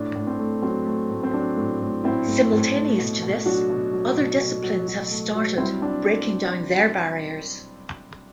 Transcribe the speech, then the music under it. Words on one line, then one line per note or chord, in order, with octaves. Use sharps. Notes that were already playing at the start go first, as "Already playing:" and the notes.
Simultaneous to this, other disciplines have started breaking down their barriers.
Already playing: A2 D4
A2
C4
A3
F#3 C4
A3
A2
C4
F#3 D4
A2
A2
A2 C4 E4
A2
A2
A3
B2
B2
F#3 D4 F#4
B2
F#3
B2
B2
F#3
F#3
A3
F#3
G3 C4 E4
G3 D4